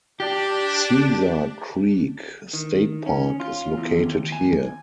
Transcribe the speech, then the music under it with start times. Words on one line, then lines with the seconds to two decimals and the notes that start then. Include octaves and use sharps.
Caesar Creek State Park is located here.
0.20 D4 G4
2.53 D#3
3.06 C#4
3.40 F4
3.77 E2
3.98 D#2
4.32 G#5